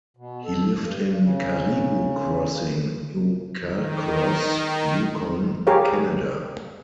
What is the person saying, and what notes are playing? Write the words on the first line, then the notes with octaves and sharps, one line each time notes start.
He lived in Caribou Crossing, now Carcross, Yukon, Canada.
B2
A4
G2
C#3
D#3
G4 G#4 A#4 C#5 F5